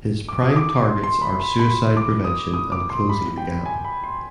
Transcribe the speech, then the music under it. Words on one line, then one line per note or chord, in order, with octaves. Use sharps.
His prime targets are suicide prevention and Closing the Gap.
D6
D#6
D6
D6
C6
C6
B5
B5
B5
D6
D#6
D#6
D6
C6
B5
G5
G#5
B5
C6